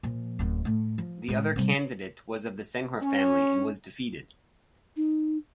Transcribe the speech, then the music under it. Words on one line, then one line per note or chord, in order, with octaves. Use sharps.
The other candidate was of the Senghore family and was defeated.
A#2 F3
D1 F#2
A2 A3
F3
A2 G#3
C3 G3
C#4
D#4